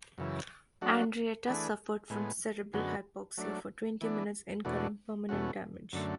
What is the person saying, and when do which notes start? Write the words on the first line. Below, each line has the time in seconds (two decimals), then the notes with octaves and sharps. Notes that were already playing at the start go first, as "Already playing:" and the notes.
Andreatta suffered from cerebral hypoxia for twenty minutes, incurring permanent damage.
0.18 F#2 C#3 E3
0.81 F#3 A3 D4 F#4
1.46 E3 A3 D4 G#4 B4
2.10 A2 G#3 B3
2.73 F#2 D3 G#3 B3 F#4
3.38 F#3 A3 D4
4.01 E3 B3 D4
4.65 E2 B2 A3 D4 F#4
5.29 E2 B2 A3 C#4 F#4
5.93 F#2 D3 A3